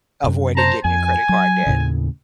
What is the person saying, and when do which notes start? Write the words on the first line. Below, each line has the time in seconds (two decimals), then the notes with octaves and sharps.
avoiding getting in credit card debt.
0.24 F#2 C3
0.56 C5 A5 A#5
0.85 F2 G#5
1.29 F#3
1.67 D#2 A2 C#3